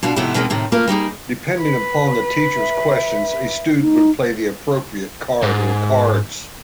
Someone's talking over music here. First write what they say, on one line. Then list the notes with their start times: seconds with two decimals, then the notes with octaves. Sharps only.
Depending upon the teacher's questions a student would play the appropriate card or cards.
0.03 B2 D4 F4
0.16 G#2 C3 F3 A3 B3 E4
0.34 B2 D#3 E3 G#3 A#3 C4
0.50 A2 C3 D#3
0.72 A3 A#3 F4 A#4 B4
0.88 G3 A#3 D#4 G#4
1.59 B4
2.56 E5
3.80 D#4
5.43 G#2